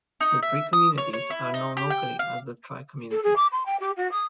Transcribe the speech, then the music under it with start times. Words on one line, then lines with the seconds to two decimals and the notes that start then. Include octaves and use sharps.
The three communities are known locally as the 'tri-communities'.
0.21 D#4
0.43 E5
0.73 D#6
0.98 C#5
1.13 C#5
1.30 E4
1.54 D#4
1.77 G4
1.90 G5
2.19 F5
3.11 A4
3.23 G#4
3.36 D6
3.51 C6
3.65 G5
3.79 G4
3.96 F#4
4.11 D#6